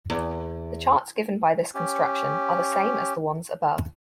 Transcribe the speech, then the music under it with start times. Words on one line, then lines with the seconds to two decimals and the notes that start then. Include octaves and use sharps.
The charts given by this construction are the same as the ones above.
0.10 E2
1.74 C#4 G4